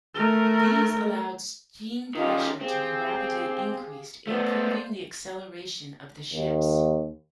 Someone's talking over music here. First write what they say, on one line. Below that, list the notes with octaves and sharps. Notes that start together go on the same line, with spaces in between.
These allowed steam pressure to be rapidly increased, improving the acceleration of the ships.
A3 A#4
D#3 C#4 D#4 F4 G4
C4 G4 G#4 F5
A3 B3 C5 D5
D#2